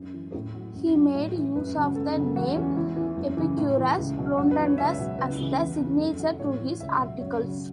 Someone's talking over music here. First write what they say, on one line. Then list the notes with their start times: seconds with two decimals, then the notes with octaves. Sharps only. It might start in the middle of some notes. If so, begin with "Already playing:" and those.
He made use of the name "Epicurus Rotundus" as the signature to his articles.
Already playing: F#2
0.14 E3
0.34 A2
0.55 F#3
0.74 F#2
0.95 F#3
1.15 A2
1.35 E3
1.56 F#2 B4
1.75 C#3 F#3
1.96 F#2 A4
2.16 C#3 F#3
2.36 E2 F#4
2.56 E3 C#4
2.76 E2 E4
2.96 E3
3.17 F#2
3.37 C#3 E3
3.57 A2
3.77 E3
3.97 C#2
4.18 B2 F#3
4.38 F#2 F#4
4.51 B4
4.58 E3
4.65 C#5
4.78 C#2 E5
4.98 B2 F#3
5.19 C#2 B4
5.39 C#3 E3
5.59 E2
5.79 C#3 E3
5.99 F#2 A4
6.20 F#3
6.39 A2 C#5
6.60 E3
6.80 C#2 E5
7.00 B2 F#3
7.20 F#2 C#5
7.40 C#3 F#3